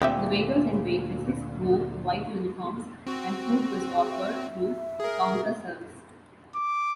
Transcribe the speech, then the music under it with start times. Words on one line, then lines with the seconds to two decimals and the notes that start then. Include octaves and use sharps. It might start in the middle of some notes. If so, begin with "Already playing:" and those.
The waiters and waitresses wore white uniforms, and food was offered through counter service.
0.02 D2 A#2 C4 G4 E5
3.07 C4 F#4
3.96 G#4
4.12 E5
5.00 G#4 A#4
6.55 D6